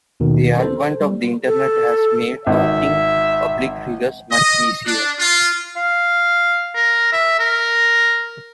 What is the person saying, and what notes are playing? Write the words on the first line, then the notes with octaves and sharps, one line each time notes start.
The advent of the internet has made outing public figures much easier.
D#2 B2 D#3
A4 C5
G3
A4
G#1 E5
D#5
D4
F4
F5
A#4
E5
A#4